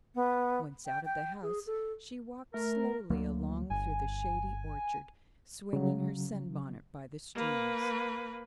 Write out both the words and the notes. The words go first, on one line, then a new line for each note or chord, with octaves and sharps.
Once out of the house, she walked slowly along through the shady orchard, swinging her sunbonnet by the strings.
B3
G5
G5
G#4
A4
A3 A#4
D2 F#3 A#3
G1 G#5
C#3 F#3
A#3 B4